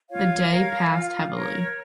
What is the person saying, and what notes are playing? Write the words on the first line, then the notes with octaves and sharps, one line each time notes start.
The day passed heavily.
F4 C#5 F5
A#4 C#5
F4
A#4 C#5